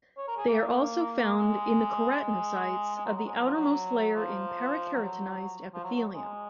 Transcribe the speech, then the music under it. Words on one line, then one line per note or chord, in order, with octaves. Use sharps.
They are also found in the keratinocytes of the outermost layer in parakeratinised epithelium.
C#5
A#4
G#4
A#3
G#3
G#3
G#3
F#3
F#3
G#3
F#3
F3
F#3
F3
F#3
F3
F#3
F#3
G#3